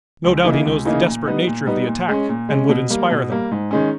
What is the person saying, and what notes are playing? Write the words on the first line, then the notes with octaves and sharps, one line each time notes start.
No doubt he knows the desperate nature of the attack, and would inspire them.
C#2
C#3 E3 A#3 D#4
C#2
C#3 E3 A#3 D#4
A#2
G3 B3 D#4
A#2
G3 B3 D#4
A#2
G#3 C#4
A#2
G#3 C#4
B2
G3 A#3
B2
G3 A#3
G#2
D#3 G#3 C#4